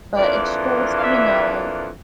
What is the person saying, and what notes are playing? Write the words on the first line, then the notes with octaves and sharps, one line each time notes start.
But it's just, you know,
F2 E3 A#3 D4 D5
F5
E5